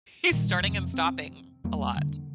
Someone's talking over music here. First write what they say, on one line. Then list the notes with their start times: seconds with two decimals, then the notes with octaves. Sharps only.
he's starting and stopping a lot.
0.31 A#1 A#2 D#3 G3
0.60 F2 C3
0.94 C4
1.64 E2 G3 A#3
1.97 D3